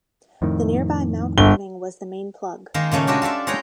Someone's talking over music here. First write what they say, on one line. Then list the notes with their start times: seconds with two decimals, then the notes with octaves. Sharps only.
The nearby Mount Warning was the main plug.
0.42 F2 A2 D#3
1.38 G1 G7
2.74 D#3 G#3 A#3 D#4
2.91 A#2 C#3 A3 C#4
3.07 G#3 D4 F#4 G4
3.22 F4 A4 D5 E5
3.47 G#3 D#4 C#5 F#5 G5 A#5